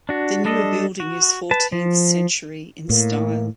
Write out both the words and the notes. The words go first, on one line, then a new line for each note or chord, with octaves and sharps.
The newer building is fourteenth century in style.
D4 F#4
G3 D4 A4 D#5
F#4
B4 A5
F3
A2 A#3